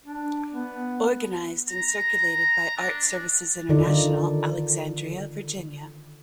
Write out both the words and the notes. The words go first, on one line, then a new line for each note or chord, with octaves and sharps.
Organized and circulated by Art Services International, Alexandria, Virginia.
D4
B3
A#5
D4
D3 D#3 D#4 F4 A4 D5